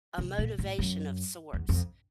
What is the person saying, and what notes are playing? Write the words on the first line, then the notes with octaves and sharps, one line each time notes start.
a motivation of sorts,
C3
A#2
A2
F#2
E2
F2